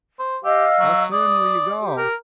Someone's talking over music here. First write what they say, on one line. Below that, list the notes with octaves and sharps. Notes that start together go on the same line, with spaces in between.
"How soon will you go?"
C5
G4 D#5 F5 E6
F#3
D5 D#6
G4
A#4